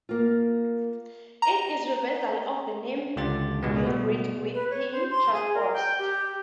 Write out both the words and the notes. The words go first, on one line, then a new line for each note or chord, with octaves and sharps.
It is a reversal of the name "Gilbreth", with 'th' transposed.
A#3 F4
A#5
C#2 D3 F4 G4 A6
C#2 G#2 B2 G#3 B3
B2 G3 A3 B3
B4
C#5
C5
C6
G#4
A#4
G5
G4